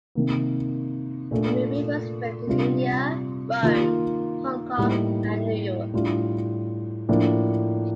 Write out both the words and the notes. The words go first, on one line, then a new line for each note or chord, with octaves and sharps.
The movie was filmed in India, Rome, Hong Kong, and New York.
C3 D#3 A#3
A#2 A3 D4
C3 G3 D4 F4
D#3 A#3 F4
A2 G3 A#3 D#4
A2 G3 D4 F4
A2 F3 A#3 D4